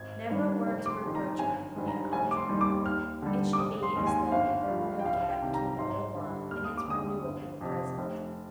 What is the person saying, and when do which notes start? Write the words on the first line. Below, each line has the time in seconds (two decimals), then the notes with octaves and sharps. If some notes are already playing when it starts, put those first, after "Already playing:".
Never a word to reproach her for the unalterable; it should be as though there were no gap between the old love and its renewal in the present.
Already playing: G#1 G#6
0.30 G2 D#3 G3
0.66 F1
0.86 D6
0.90 C6
1.02 F2 D#3
1.15 A#5
1.39 G1 G#5
1.76 G2 D#3 G#3
1.88 A#5
2.12 F1 G#5
2.31 D6
2.37 C6
2.48 D#2 D#3 G3
2.61 D6
2.86 D#2 F6
3.22 D3 G3
3.53 D6
3.58 F1 D#6
3.83 C6
3.96 D#2 D#3 G#3
4.07 G#5
4.32 G1 F5
4.68 G2 F3
4.99 G5
5.05 C2 F5
5.29 G5
5.42 C3 D#3
5.54 A#5
5.69 A#5
5.78 G#1 C6
6.15 G2 D3
6.51 D#2 F6
6.64 D#6
6.77 D6
6.87 D3 G#3 D#6
7.24 G1
7.61 F2 C3
7.98 F1